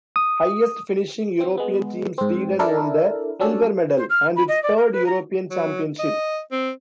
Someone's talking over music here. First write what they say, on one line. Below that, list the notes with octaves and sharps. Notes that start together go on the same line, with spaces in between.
Highest finishing European team Sweden won the silver medal and its third European Championship.
D#6
C4
G#3 B3
G#2 C4
D4 E4 A4 A#4
F#3 G3 C#4 D4 A4
C5
F6
B5
D#5
D5
A#4
B4
A#5
F#3
D#5
C4